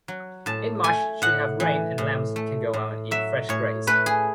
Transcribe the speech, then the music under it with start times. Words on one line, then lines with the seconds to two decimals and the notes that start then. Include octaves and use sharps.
In March should have rained and lambs can go out and eat fresh graze.
0.08 F#3
0.46 A2 A5
0.84 A3 G#5
1.22 A2 F#5
1.60 E3
1.98 A2
2.36 A3
2.73 A2
3.11 F#3 E5
3.49 A2 C#5
3.87 A3 B4
4.06 G#4